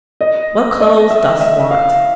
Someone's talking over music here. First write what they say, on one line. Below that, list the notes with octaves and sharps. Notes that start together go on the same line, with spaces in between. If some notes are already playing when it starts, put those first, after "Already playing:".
What clothes dost want?
D#5
D#5
E5
E5
F5